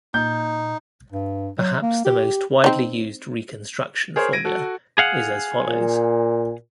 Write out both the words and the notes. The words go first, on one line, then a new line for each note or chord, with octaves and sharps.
Perhaps the most widely used reconstruction formula is as follows.
A#2 D#4 G6
G2
F#3
A#3
G4
C4 D#4
G#4 A#4 C5 C#5
G#6 A#6 D7 D#7
F#4 A4
G#4 F5 F#5
A#2